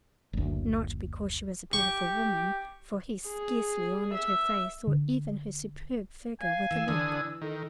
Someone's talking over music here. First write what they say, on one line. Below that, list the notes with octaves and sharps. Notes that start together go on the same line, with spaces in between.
Not because she was a beautiful woman, for he scarcely honored her face or even her superb figure with a look.
F#1 D2
G4 C#6
G#4
E5
D3
F5 G#5
E3 E6
D3 E3 D#6 E6
D#3 A4